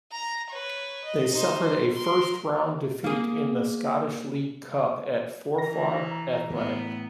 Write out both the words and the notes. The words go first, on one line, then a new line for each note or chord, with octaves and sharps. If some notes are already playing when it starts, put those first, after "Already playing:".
They suffered a first round defeat in the Scottish League Cup at Forfar Athletic.
A#5
B4 C#5
D#5
D#4 C5
C5
A#4 C6
A#3 G#4
E3 A#4 A#6
A#5
A2 B3